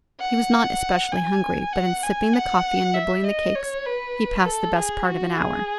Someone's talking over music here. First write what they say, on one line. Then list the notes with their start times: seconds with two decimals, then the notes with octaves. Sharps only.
He was not especially hungry; but in sipping the coffee and nibbling the cakes he passed the best part of an hour.
0.20 F#5
1.12 G#5
1.73 F#5
2.03 G#5
2.33 F#5
2.94 E5
3.24 D#5
3.55 C#5
3.85 B4
4.45 A4
4.76 G#4
5.06 F#4
5.37 G#4